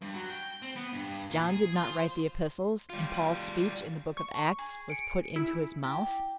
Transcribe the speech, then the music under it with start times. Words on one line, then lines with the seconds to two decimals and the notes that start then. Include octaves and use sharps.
John did not write the epistles, and Paul's speech in the Book of Acts was put into his mouth!
0.01 G2
0.14 F#3
0.30 G5
0.62 C4
0.76 B3
0.93 G2
1.30 A#2
1.49 G#4
1.76 F4
1.90 C5
2.90 G3 F4
4.17 C#6
4.59 G#4
4.90 C#7 D7
5.36 E4
5.84 G4